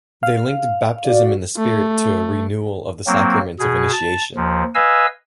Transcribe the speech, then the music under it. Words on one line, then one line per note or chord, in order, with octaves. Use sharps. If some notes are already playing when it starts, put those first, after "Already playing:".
They linked baptism in the Spirit to a renewal of the sacraments of initiation.
F5
F#4 D5
A3
F#3 A#3 C4
B2 G#4
A5
D#2 F3
B4 D#5 F5 G#5 E6